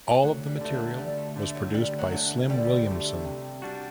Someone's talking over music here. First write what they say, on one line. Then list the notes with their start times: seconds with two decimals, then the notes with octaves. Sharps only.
All of the material was produced by Slim Williamson.
0.24 D2 F#3
0.48 G3
0.61 D3 A3
0.74 F#3
0.99 D2 G3
1.17 A3
1.36 D3 A3
1.55 F#3
1.73 D2 G3
1.99 F#3
2.12 D3 A3
2.49 D2 G3
2.87 D3 A3
3.25 C3
3.62 G3 D4 F#4